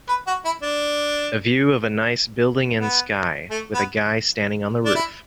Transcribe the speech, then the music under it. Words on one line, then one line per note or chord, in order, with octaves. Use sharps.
A view of a nice building and sky with a guy standing on the roof.
B4
F#4
E4
D4
B3
A3
B3
D4
E4